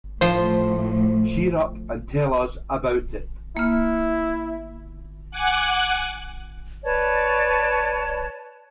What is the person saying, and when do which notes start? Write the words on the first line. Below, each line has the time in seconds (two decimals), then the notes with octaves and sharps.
Cheer up, and tell us about it!
0.21 A2 F3 C5 C6
3.57 A#3 E4 F6
5.31 F#5 G#5 D6 F#6
6.84 B4 C#5 D5 A5